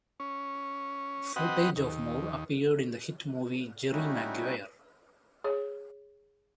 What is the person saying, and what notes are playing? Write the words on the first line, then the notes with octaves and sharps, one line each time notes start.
Footage of Moore appeared in the hit movie "Jerry Maguire".
C#4
C4 F#4 B4 D#5 F#5 G5
D#2
G3 A3 C#4 D#4 E4 F#4
G#4 C#5